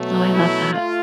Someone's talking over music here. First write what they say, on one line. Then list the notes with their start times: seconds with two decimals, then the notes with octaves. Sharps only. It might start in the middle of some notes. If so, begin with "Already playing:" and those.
Oh, I love that.
Already playing: B2 F#3 A3
0.31 E4
0.72 A3 F4